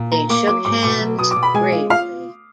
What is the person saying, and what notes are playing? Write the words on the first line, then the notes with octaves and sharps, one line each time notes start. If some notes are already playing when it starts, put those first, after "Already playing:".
They shook hands gravely.
Already playing: A#2
A#3 A#5
A#3 D6
F#3 D6
G#2 D6
B2 D6
F#3
B2 D#6
D6
B2
B5
G#3 G#5
F4
F4 F5